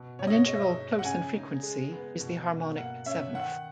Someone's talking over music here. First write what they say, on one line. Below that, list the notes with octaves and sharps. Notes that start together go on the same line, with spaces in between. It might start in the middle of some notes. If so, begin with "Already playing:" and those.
An interval close in frequency is the harmonic seventh.
Already playing: B2
B2 C#5
D#5
C#5
G#3 D#5
E5
D#5
D#4
F#5
C#3 G#5
D#4
G#3
B3
B2
B2
A#3 F#5
C#4 E5
D#3 F#5